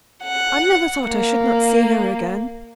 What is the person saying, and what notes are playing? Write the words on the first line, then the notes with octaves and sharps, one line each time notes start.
I never thought I should not see her again.'
F#5
A#3